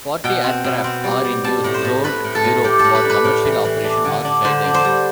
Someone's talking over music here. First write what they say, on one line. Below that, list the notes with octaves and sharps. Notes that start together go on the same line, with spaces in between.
Forty aircraft are in use throughout Europe for commercial operation or skydiving.
B2 G5
C4
B2
C4
G3
G3
G3 A5
A2
C5
A2
A2 B4
A2
A4
A2
A2 G4
A4
A2
B4
D4 B4
A2
E3
E3
D4
D3
D4
D3 C5
D4
C5
G3